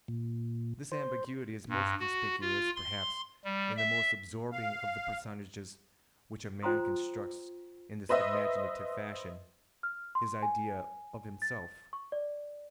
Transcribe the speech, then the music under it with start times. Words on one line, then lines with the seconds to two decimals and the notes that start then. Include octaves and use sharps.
This ambiguity is most conspicuous, perhaps, in the most absorbing of the personages which a man constructs in this imaginative fashion--his idea of himself.
0.08 A#2
0.92 C5
1.69 G2
2.00 F#4
2.41 F4
2.76 C6
3.44 G3
3.77 E5
4.52 F5
6.62 F4 C5 G5 A#5 C6 D#6
8.09 B4 C5 D#5 E5
9.83 F6
10.15 C6
10.43 G#5
11.42 A6
11.93 C#6
12.12 D5